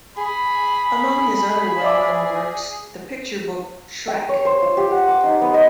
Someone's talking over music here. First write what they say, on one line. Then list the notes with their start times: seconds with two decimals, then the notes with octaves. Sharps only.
Among his other well-known works, the picture book Shrek!
0.18 G#4 B5
1.82 D5 E5 D6
4.08 G5
4.29 C#5
4.45 C5
4.62 F4
4.77 G4
4.91 F#5
5.08 D6
5.24 D#4
5.42 B3
5.54 D#5